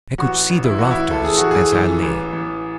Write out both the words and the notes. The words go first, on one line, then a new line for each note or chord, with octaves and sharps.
I could see the rafters as I lay.
A1 F#4
A1
E4
A1 F#4
E4
A1 A4
G#4
A1 F#4
G#4
E3
A1
A1